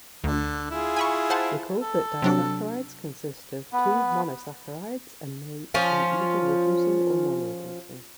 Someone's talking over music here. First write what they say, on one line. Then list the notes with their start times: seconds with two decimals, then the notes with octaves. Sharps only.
Recall that disaccharides consist of two monosaccharides and may be either reducing or nonreducing.
0.24 D2 D3
0.71 E4 F4 G#4
0.96 G#5 B5 C#6
1.30 C5 F#5 A5
1.80 A4
2.22 C3 F#3 D4
3.73 B3
5.74 F3 C#4 F4